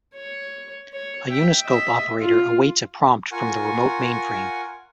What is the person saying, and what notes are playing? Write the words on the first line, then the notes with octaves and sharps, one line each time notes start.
A Uniscope operator awaits a prompt from the remote mainframe.
C#5
C#5
E5 G5
D#5 E5
F4
F4 A#4 F#5 G#5 C#6